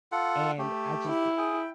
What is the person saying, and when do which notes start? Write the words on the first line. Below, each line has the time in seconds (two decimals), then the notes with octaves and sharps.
and I just
0.12 F4 A4 F#5
0.59 A3 G4
1.07 E4
1.38 G#4 G5